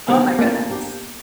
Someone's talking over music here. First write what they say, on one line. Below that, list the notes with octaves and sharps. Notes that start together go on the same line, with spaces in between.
Oh my goodness.
C3 D#3 G3 A#3 B3 D4
A3 A#3 C#4 F4
A#3 D4 G4